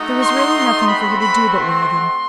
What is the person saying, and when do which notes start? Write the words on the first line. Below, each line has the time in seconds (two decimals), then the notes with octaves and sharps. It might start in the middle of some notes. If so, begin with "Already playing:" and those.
There was really nothing for her to do but wear them.
Already playing: A3 D#4 F#4
0.21 C6
0.86 A3 C4 F#4 B5
1.19 B5
1.51 C6